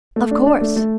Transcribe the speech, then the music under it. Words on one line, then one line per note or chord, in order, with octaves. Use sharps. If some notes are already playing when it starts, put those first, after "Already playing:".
'Of course!
A3
D4
D4
A3
A3